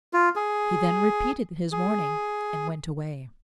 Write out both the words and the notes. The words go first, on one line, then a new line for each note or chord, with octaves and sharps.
He then repeated his warning and went away.
F4
G#4
G#4